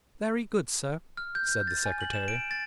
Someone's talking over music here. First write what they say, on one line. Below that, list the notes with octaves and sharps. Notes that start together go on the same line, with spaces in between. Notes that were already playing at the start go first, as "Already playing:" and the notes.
"Very good, sir," said the secretary.
F6
G6
G6
A6
G#5
F#7
E7
D7
A6